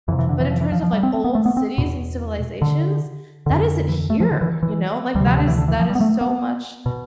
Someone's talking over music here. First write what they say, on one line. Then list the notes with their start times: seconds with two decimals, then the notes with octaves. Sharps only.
But in terms of, like, old cities and civilizations? That isn't here, you know? Like, that is that is so much
0.08 F2 E3
0.12 C3
0.19 E3
0.29 D3
0.40 E3
0.51 F3
0.61 E3
0.72 F3
0.83 F3
0.93 G3
1.03 C4
1.14 C4
1.24 B3
1.35 A3
1.46 B3
1.57 C4
1.78 E2 B2
2.62 D3
3.46 F2 D3
3.89 E3
4.10 A3
4.20 F3
4.31 D3
4.41 E3
4.63 E3
5.15 D2 G3
5.20 C3
5.27 F3
5.37 D3
5.47 E3
5.58 D3
5.68 E3
5.80 F3
5.90 G3
5.95 B3
6.01 A3
6.21 B3
6.86 B2